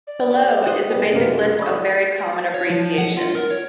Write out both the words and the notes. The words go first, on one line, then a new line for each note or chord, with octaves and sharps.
Below is a basic list of very common abbreviations.
D5
D4 G4 C#5
F#4 C5 D#5
B2 G3 B3 G#4
F#2 C3 A#3 A#4
F2 D3 D5 B5 C#6 D#6
C#5
F3
F#5
F4
A#4
C#5